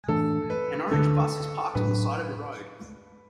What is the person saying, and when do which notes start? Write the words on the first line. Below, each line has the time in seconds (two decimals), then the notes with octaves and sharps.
An orange bus is parked on the side of a road.
0.08 A2 E3 A3 D4 A4
0.50 B4
0.91 D2 D3 B3 D4 A4
1.75 A2 F#3 D4 B4